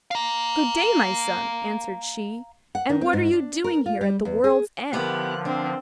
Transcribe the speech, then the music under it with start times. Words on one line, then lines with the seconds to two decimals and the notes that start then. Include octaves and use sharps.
'Good day, my son,' answered she, 'and what are you doing here, at the world's end?'
0.11 F5 A#5
2.75 F#5
2.89 D#3
3.01 C4
3.13 G#2
3.33 D4
3.64 A#4
3.86 F4
4.01 G3
4.25 E2
4.44 G#4
4.93 D3 F3 B3 E4 G4 A#4 B4 F#6
5.45 C4 D4